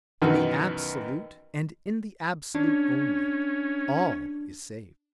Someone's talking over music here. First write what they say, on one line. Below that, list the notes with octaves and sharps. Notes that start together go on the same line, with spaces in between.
In the Absolute, and in the Absolute only, ALL is saved.
F#2 B2 D#3 E3
C#4 D4